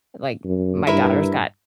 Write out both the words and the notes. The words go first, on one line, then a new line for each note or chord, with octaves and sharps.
Like, my daughter's got
F#2
G2 E4 A#4 B4